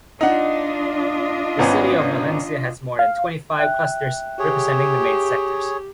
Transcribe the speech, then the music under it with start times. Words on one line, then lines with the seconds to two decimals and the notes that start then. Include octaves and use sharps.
The city of Valencia has more than twenty-five clusters representing the main sectors.
0.21 D4 D#4 F4 D#5 F#5
1.59 G#1 B3 C#4
2.99 F5
3.58 E5 G5 F#6
4.39 G4 G#4 C#5